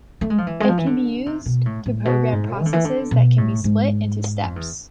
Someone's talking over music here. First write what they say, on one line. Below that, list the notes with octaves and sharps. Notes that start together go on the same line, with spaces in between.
It can be used to program processes that can be split into steps.
A3
G#3
F3
E3
G#3
F3
E3
D3
C3
B2
A2
A2
B2
G#2
E3
D3
E3
D3
B2
A2
G#2
F2
E2